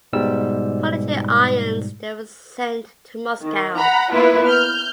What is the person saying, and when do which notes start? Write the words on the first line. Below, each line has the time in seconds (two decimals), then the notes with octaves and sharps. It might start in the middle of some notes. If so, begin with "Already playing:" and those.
Put into irons, they were sent to Moscow.
0.13 G#2 B2 G3 G#3 E6
3.42 D#3
3.77 F#5 A#5 B5
4.12 A#3 B3 E4 F4 B4
4.47 F6 G6